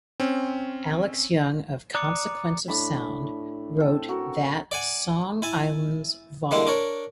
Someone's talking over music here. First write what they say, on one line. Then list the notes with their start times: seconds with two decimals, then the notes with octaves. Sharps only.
Alex Young of "Consequence of Sound" wrote that ""Song Islands Vol.
0.20 C4 C#4
1.95 D5 A#5 D6 D#6 F#6 C#7
2.68 A2 D4 B5 C#6
3.77 C4 A4
4.08 F#4 A4 A#4
4.71 D5 F#5 G#5
5.42 E4 G#5 A5
6.51 D3 G3 G#3 A#3 E4
6.67 D4 A#4 C#5